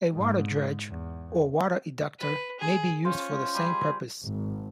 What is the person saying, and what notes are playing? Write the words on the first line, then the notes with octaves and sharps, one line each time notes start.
A water dredge or water eductor may be used for the same purpose.
G#2
E2
B4
G#4
C#4 F4 C5
G3 G4 G#4
G#1